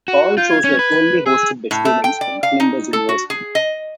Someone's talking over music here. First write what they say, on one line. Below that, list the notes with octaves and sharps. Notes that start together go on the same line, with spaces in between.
All shows were solely hosted by students from Flinders University.
F#4
F4 G6
G#6
C#4
B4
G#4 E6
A2
A3
G5
D5
F5
D#4
A4
F#4
G#4
D#5